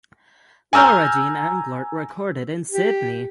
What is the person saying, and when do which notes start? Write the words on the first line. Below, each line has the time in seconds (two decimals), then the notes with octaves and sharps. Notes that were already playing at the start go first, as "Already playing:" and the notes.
Laura Jean Englert recorded in Sydney.
0.73 G#5 A#5 E6 F6 G6
2.72 G4